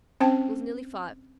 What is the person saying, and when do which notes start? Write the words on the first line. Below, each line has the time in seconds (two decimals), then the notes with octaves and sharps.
It was nearly five.
0.20 C4 C#4 C5 G5 A5